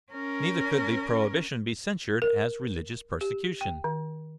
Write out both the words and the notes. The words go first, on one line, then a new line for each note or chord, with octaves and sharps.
Neither could the prohibition be censured as religious persecution.
C#4 A#4
A#4
G4
G5
D#3